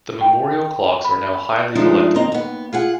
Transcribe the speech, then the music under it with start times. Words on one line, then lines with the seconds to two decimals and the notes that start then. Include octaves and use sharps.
The memorial clocks are now highly collectible.
0.21 G5
1.05 B5
1.75 F3 G#3 A3 D4 D#4
2.16 D#2 C4 D#5 A#5
2.32 D#2 B3
2.73 F4 G#4 F#5